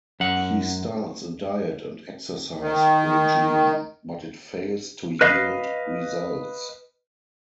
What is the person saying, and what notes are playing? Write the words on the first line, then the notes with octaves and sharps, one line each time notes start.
He starts a diet and exercise regime, but it fails to yield results.
F#2 F#5
D#3
B4 D#5 F5